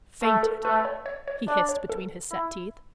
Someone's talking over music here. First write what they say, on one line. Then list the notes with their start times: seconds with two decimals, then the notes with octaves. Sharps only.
"Fainted!" he hissed between his set teeth.
0.23 A3 A4
0.43 A4
0.64 A3 B4
0.80 B4
0.85 C#5
1.06 C#5
1.28 C#5
1.48 D4 D5
1.69 C#5
1.90 A4
2.31 E4